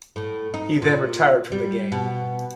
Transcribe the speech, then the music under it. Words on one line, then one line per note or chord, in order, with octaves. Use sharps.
He then retired from the game.
A2
D#4
A#2
G3
B2